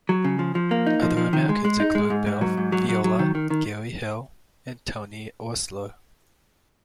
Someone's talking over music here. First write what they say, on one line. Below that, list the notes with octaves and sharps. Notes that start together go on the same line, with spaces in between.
Other Americans include Bill Viola, Gary Hill and Tony Oursler.
F#3
C#3
F3
F3
A#3
D#4
F3
F3
D#3
G#3
G#3
D#4
G#3
G#2
G#2
F#3
G#2
F#3
F#3
F#3
D#3
D#3
D#3